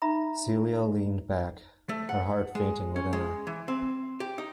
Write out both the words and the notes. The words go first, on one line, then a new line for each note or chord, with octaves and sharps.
Celia leaned back, her heart fainting within her.
D#4 E5 A#5 B5
A3
F#5
G#3
C#4
G#3
E3
C4
G4
D#4